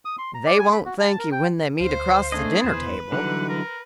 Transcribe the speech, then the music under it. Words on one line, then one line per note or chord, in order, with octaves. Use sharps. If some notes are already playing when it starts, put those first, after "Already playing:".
"They won't thank you when they meet across the dinner-table."
D#6
C6
A#5
D5
G#5
B5
F#4
A5
A#4
G5
D2 C5 F5
A3 D4 G#4 D#5
E2 B3 E4 B4 C5
D3 E3 F#3 G3 D#4 F#5
A#4